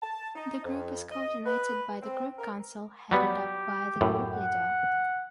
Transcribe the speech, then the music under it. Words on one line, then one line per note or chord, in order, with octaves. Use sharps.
The Group is coordinated by the Group Council, headed up by the Group Leader.
A5
D#4
F2
D#5
B4
C4
A#4
F#3 G3 B3 G4
F#2 A2
F#5